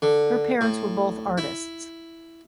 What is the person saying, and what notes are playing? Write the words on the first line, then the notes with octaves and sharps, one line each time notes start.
Her parents were both artists.
D3
A2
E4